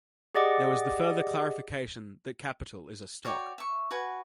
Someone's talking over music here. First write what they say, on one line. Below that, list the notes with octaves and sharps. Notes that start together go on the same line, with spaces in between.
There was the further clarification that capital is a stock.
G4 G#4 D5 D#5 F#5 D6
F#4 C#5 D5 G5
E5 C#6
F#4 B4 F#5 G#5